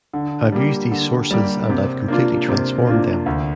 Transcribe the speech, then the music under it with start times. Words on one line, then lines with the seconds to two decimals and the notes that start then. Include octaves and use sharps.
I've used these sources and I've completely transformed them.
0.13 D3
0.52 G3 A#3 G4
0.91 D3
1.31 G3 A#3 G4
1.69 C3
2.08 A#3 D4 F4
2.48 C3
2.87 A#3 D4 F4
3.26 D2